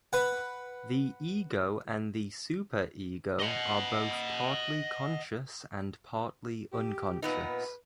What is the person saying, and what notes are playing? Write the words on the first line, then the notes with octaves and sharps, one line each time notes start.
The ego and the super-ego are both partly conscious and partly unconscious.
B4 F#5
D#5 F#5
G4
A#2 B3 D#4 B4